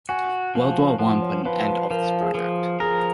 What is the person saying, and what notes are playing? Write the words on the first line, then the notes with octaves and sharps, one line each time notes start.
World War One put an end of this project.
F#4 G#5
F3
F3 F#5
C#5
F3 B4
B4
F3 A#4
G#4
F3
G#4 A#4